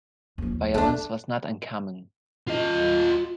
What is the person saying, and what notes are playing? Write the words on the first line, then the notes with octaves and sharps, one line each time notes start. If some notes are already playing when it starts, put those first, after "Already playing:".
Violence was not uncommon.
D#2 F3
D#2 A3 B3 D4
F4 D#5